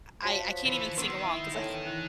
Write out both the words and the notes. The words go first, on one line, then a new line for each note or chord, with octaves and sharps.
I I I can't even sing along 'cause I I
F3 F#4 C#5 A5 B6
E3 B5 C#7
D#3 B3 C6 E6 C7
E4
A2 G#5
E3 F#6